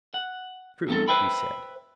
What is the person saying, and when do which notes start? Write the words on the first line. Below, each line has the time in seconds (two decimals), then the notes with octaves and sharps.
True, he said.
0.14 F#5
0.88 E2 G2 A3 C4 A4
1.08 B4 C5 E5 G5 B5